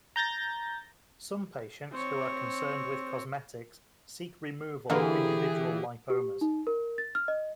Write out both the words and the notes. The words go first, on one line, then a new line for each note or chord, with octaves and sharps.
Some patients who are concerned with cosmetics seek removal of individual lipomas.
A#5 G6 A6 A#6
C4 C#5
D3 E3 A#3 G4 G#4 A#4
G4
D#4
A#4
A6
F6
D#5